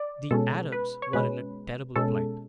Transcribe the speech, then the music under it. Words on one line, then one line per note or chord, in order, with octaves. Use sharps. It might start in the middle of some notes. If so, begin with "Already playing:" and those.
The Arabs were in a terrible plight.
Already playing: D5
B2 G#3 C#4 A4
B4
C#5
B2 G#3 C#4 B4
B2 G#3 C#4 A4